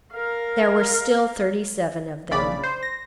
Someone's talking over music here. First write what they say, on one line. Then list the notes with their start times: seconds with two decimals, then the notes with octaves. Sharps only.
There were still thirty-seven of them.
0.13 A#4 F5
2.31 A#1 C#3 D5 B5
2.63 C5
2.83 A#6